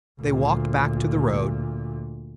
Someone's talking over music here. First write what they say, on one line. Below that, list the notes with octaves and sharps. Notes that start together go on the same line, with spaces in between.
They walked back to the road.
D2 A#2